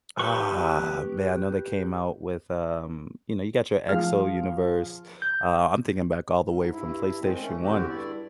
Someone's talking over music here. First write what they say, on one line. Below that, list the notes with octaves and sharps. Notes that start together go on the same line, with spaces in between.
Ah man, I know they came out with, um you know, you got your Exo Universe, uh, I'm thinking back all the way from PlayStation One.
G4 B4 C#6
F3 G#4 F5 F6
G6
G#2
G2 E4
D#3 G#3 C4
A3 C#4
E2 D3 C4 F#4 G4
G2 E4 D5